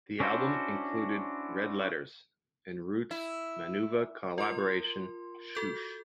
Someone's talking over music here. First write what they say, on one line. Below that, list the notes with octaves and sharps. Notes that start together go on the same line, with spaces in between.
The album included "Red Letters" and Roots Manuva collaboration, "Shhhoosh".
C#4 D4 E4 F#4 C5
E4
F4 A#4 C6
F#4 A4 G6